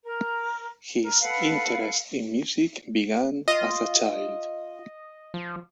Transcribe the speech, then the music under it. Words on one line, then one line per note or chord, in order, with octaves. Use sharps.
His interest in music began as a child.
A#4
A#4
A4 B4 F5 F#5
F4 D#5
F3